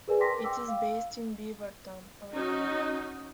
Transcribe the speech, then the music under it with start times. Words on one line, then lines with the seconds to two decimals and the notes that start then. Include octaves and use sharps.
It is based in Beaverton, Oregon.
0.08 G#4 A#4 B4 D5 G#5
0.20 G5 A5 C6 D6 A#6 B6
0.44 G5 D6 E6
0.68 F5
2.33 C#4 D#4 F#4